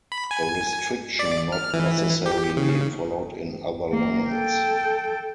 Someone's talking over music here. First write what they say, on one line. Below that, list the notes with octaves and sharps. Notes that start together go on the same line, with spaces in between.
A restriction not necessarily followed in other lines.
B5
G#5
D5
F6
E3
G4
C#3
A#3
A4 G5